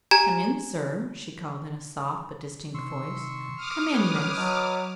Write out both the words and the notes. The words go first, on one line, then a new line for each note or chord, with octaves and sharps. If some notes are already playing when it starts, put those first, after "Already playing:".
"Come in, sir," she called in a soft but distinct voice; "come in, miss."
G4 G#5 A#5 G#6 E7
C3 D#3 C6 C#6 E6
D6 D#6 F6
C#4 A4 B4 C#5
F#3 D#5 A5